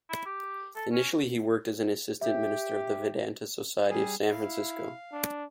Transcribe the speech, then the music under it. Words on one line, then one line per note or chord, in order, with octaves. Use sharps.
Initially he worked as an assistant minister of the Vedanta Society of San Francisco.
E4
G4
A4
C#4
G4 E5
G3 G#4
E4 F5
D4